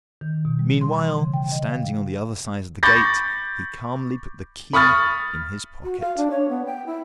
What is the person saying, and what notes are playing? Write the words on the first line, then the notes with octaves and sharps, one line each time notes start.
Meanwhile, standing on the other side of the gate, he calmly put the key in his pocket.
D#3
B2
G3
C6
E3
C#3
G5
D#5
F5
B5 C#6 D6 G6 A6 A#6
B5 C#6 D#6 F6 A6
F#4
F5
D4
C#5
B3
G5
E4